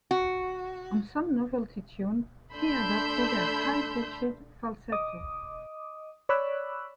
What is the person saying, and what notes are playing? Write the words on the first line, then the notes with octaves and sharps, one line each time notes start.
On some novelty tunes he adopted a high-pitched falsetto.
F#4
A3 D4 B5 C6 E6 G6
D#5 D6 D#6
C#5 D5 B5 D6 E6 F#6